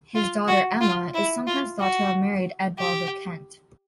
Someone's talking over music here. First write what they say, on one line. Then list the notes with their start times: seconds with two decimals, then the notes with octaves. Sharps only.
His daughter Emma is sometimes thought to have married Eadbald of Kent.
0.15 F4
0.48 F#4
0.81 F4
1.14 E4
1.47 F4
1.80 F#4
2.79 G4